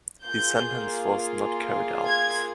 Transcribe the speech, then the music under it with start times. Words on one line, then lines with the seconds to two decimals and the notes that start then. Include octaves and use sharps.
The sentence was not carried out.
0.25 A#3 F4 G#4 G6
2.07 G#6